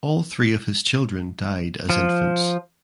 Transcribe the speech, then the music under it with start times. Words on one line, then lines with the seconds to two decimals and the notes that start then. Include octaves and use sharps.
All three of his children died as infants.
1.90 F3